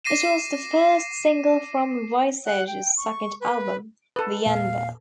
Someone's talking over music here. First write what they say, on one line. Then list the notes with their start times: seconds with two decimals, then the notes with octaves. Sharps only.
It was the first single from Visage's second album, "The Anvil".
0.04 D6 A#6 C7 D#7 E7
2.45 F#5
2.67 G5
2.97 C#6
3.40 B4
4.16 A4 B4
4.45 E2 A#2 F5